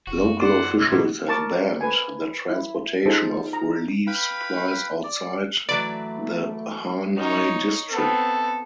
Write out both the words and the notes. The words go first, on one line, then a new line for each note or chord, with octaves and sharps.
Local officials have banned the transportation of relief supplies outside the Harnai District.
F1 F#4
F#2
C5 D5 F#5
C3 G#6
B2 F#3
A#4 A5 C#6 D6
C5
A4 B4 G#5
E4
D#4 F4 G#4 A4 C5
A#5
B4 F5 G5 B5
D5
E3 F#3 A3 B4 D5 D6
D#4 C#5
B3 C4 A4